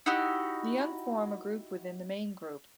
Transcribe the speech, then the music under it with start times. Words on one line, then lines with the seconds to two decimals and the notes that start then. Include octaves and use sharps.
The young form a group within the main group.
0.06 D#4 E4 F#4 G4